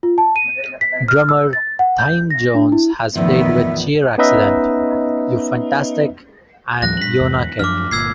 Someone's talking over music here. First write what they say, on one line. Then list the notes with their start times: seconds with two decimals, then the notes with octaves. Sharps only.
Drummer Thymme Jones has played with Cheer-Accident, You Fantastic!, and Yona-Kit.
0.03 F4
0.18 A5
0.36 D#7
0.81 B6
1.08 F6
1.29 E6
1.53 A6
1.79 F#5
1.98 G6
2.30 A#6
2.55 D4
2.72 E4
3.15 E2 A2 D#3 F3 B3 E5
4.18 B3 C#4 D#4 B4 D#5 E5
6.82 D#2 F3 G3 F#6 A#6
6.97 G2 B6 F#7
7.21 E2 G#2
7.59 F#2 F3 D4 D6 F6
7.91 G1 A#2 E6 G#6 C7